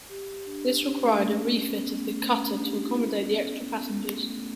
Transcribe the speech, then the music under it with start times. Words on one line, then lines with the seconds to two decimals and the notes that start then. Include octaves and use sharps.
This required a refit of the cutter to accommodate the extra passengers.
0.09 G4
0.46 D4
0.83 C#4
1.01 A3
1.20 A3
1.37 B3
1.57 C#4
1.74 B3
1.93 A3
2.11 B3
2.30 C#4
2.47 D4
2.66 G4
2.85 E4
3.03 C#4
3.21 B3
3.39 C#4
3.58 A4
3.76 B3
4.13 A3